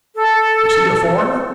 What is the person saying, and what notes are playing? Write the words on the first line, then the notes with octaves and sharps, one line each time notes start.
Was he a foreigner?
A4